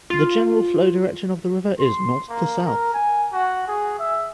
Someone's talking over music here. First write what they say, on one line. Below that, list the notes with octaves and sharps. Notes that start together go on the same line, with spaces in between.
The general flow direction of the river is north to south.
F4
C6
A#3
A#4
G#5
F#4
G#4
E5